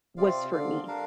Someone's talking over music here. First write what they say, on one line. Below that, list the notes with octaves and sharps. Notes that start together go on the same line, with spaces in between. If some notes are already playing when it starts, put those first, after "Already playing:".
was for me
C3 C4 F4 D5 F5
D3 C4 F4 D5 F5
G3 D4 A#4 F5